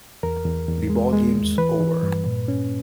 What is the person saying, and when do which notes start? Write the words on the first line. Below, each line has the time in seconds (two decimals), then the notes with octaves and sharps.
The Ball Game's over!
0.23 E2 A#4
0.45 E2
0.68 E2
0.90 G#3
1.13 G#3
1.35 D#2
1.58 E3 B4
1.80 E3
2.03 G2
2.26 A#2
2.48 C#4